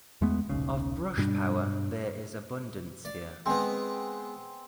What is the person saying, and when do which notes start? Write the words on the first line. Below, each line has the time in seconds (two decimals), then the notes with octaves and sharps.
Of brush-power there is abundance here.
0.21 E2 G#3 A3 B3
0.49 D#1 B1 C#3
1.17 G2 B2 G3 D4
3.05 D5
3.46 G#3 B3 C4